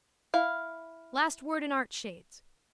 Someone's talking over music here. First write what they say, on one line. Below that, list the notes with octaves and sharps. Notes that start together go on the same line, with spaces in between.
Last word in art shades.
E4 F5